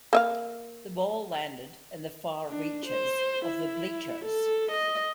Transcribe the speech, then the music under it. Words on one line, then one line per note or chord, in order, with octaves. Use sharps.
The ball landed in the far reaches of the bleachers.
A#3 E5 F5
D4
C5
E4
A4
D#5